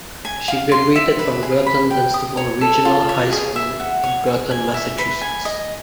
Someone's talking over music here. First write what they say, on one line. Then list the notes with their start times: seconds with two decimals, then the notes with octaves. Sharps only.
She graduated from Groton-Dunstable Regional High School in Groton, Massachusetts.
0.25 G#5
0.48 F5
0.72 C6
0.95 E5
1.19 B4
1.43 G#4
1.66 B5
1.90 G5
2.14 D#6
2.37 C#5
2.61 A4
2.85 F4
3.09 C#5
3.33 G#4
3.56 E5
3.80 F#5
4.04 C#5
4.27 G#4
4.51 G#5
4.74 E5
4.98 B4
5.22 G#5
5.45 D#5